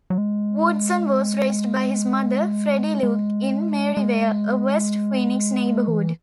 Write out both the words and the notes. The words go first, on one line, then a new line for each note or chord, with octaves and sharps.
Woodson was raised by his mother, Freddie Luke, in Maryvale, a West Phoenix neighborhood.
F#3
G#3
G#3
G#3
E3